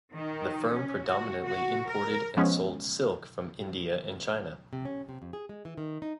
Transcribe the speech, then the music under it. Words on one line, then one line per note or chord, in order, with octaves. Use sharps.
The firm predominantly imported and sold silk from India and China.
D#3
C#4
F#4
F#4
A#4
F3 G#3 B3 C#4
C3
C#4
C3
F2
G#4
G#3
E3
D#3
D#4